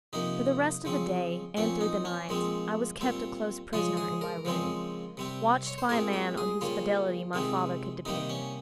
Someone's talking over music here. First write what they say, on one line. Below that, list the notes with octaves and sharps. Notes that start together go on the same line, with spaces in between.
FOR the rest of the day, and through the night, I was kept a close prisoner in my room, watched by a man on whose fidelity my father could depend.
C3 F3 A#3 D#4
C#3 F3 C4
A#2 F3 C4 C#4
D#4
C#4
A#2 F3 G#3 C4
A#2 G3 C4
C#3 F3 G#3 F4
G#4
A#4
C#3 F3 G#3 C4
C3 G3 C4
C#5
C5
A#2 G#3 C4 A#4
G4
G#4
C#3 G3 A#3 F4
C3 D#3 G#3 C4
C3 D#3 G3 A#3 D#4
C#4